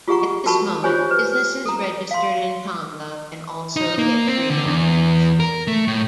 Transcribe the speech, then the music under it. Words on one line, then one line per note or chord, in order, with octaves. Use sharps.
At this moment businesses registered in Tonga can also get free domains.
F4 G4 G#4 F#5 A#5 C#6
F#4 A#4 A5 B5 C#6
F4 G4 C5 C#5 G#5
B4
A4 A#5
F5 C6
D#4
A#3
C4
D3
E2
A#4
A3
A2